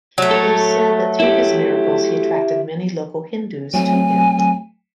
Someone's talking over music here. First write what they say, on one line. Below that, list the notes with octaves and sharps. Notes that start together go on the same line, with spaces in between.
It is said that through his miracles he attracted many local Hindus to him.
F#3 A3
A4 C#5
E4 G4
F#3 A3 C4 G#5